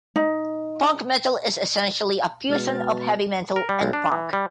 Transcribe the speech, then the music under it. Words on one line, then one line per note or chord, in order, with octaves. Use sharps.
Funk metal is essentially a fusion of heavy metal and funk.
D#4
B2 G#3 F6 A6
A#4
G3
B1
D4
E3
G3